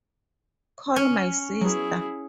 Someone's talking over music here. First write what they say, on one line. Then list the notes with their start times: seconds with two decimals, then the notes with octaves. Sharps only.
Call my sister.
0.96 C#4
1.61 F#3 B3 E4 G#4